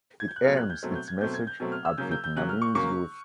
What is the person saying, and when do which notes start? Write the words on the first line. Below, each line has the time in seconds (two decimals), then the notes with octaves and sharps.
It aims its message at Vietnamese youth.
0.20 G#6
0.28 G6
0.36 F#6
0.44 B2 F#3 A3 C4 F6
0.57 F#6
0.70 G6
0.83 B2 F#3 A3 C4
0.95 G6
1.08 G#6
1.21 B2 F#3 A3 C4 G6
1.34 G#6
1.47 G6
1.60 B2 F#3 A3 C4
1.72 F6
1.85 E6
1.98 C#3 F#3 A#3 G6
2.11 G6
2.24 G6
2.36 C#3 F#3 A#3 F#6
2.49 F6
2.62 C#6
2.75 C#3 F#3 A#3 C#6